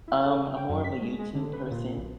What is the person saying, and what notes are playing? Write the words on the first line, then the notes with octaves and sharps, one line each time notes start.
Um, I'm more of a YouTube person,
E4
A4
C#3
G5
F#2
B6
G#3
G#3
D3
B4
A#2
B1